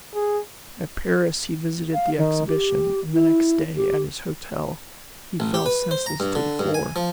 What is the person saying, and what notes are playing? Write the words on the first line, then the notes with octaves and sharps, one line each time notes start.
At Paris he visited the Exhibition, and the next day, at his hotel, he fell senseless to the floor.
G#4
F5
D#3
G4
E4
G4
A1
G4
B4
C5
A#5
G2
D3
G2
G#5
F3